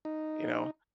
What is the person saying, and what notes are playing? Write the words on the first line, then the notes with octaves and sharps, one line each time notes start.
you know,
D#4